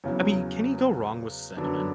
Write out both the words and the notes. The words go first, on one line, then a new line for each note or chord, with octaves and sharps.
I mean, can you go wrong with cinnamon?
E2 C#3 F#3 C#4
F#2 D3 F#3 B3 D4